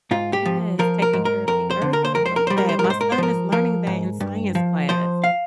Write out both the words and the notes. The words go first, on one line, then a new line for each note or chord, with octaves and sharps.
Yes, taking care of the earth, I love that, my son is learning that in science class.
G#2 F4
G4
F3
F3 A#4
A#4
G#2
A#4
F2 A#4
C5
D3
A#4
C5
F2 A#4
C5
A#4
G3 C5
A#4
C5
A#4
G#2
C5
A#4
C5
F3 A#4
F3 A#4
G#2
G2
F3
F3 C5
F5